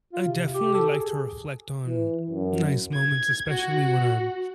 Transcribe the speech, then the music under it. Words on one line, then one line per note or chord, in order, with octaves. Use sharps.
I definitely like to reflect on nice moments, especially when I'm
F4
C3
G4
A4
G#4
E3
F#2
G#6
F#4